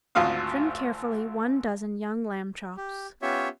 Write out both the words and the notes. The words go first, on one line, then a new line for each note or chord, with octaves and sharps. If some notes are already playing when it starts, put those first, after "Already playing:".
Trim carefully one dozen young lamb chops.
G#1 D2 F4 F#4 F5 D#6
G4
B3 C#4 F4 G4 C#5 E5